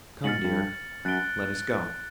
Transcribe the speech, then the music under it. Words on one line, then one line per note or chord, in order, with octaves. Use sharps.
'Come, dear, let us go.'
G#2 F6 A6 C#7 F#7
G2
F#2 F#6 A6 D7 G7